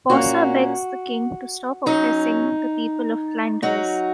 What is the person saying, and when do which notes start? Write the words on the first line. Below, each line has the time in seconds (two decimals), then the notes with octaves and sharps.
Posa begs the King to stop oppressing the people of Flanders.
0.10 A#2 A#3 C#4 F#4
1.86 F#3 C#4 D#4
3.62 F#3 D#4 F#4